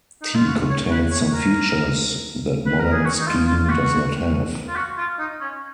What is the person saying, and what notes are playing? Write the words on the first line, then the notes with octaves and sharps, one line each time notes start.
T contains some features that modern Scheme does not have.
D#4
F4
F#4
C#5
B4
C#5
A#4
B4
A#4
G#4
F#4
D#4
F4
F4
F4
F#4
F4
F#4
F4
D#4
C#4